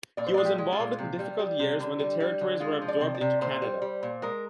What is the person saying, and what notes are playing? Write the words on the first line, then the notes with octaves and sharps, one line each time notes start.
He was involved in the difficult years when the Territories were absorbed into Canada.
A#2 D5
C5
G#3 D5
G4
G#3
F4
A#2
C3
G3
G3
C3
D3
G3
G3
D3
G#3 F4
F3
D5
C3
D5
C3
A#2 C5
G3
G3
A#2
G#3 A#4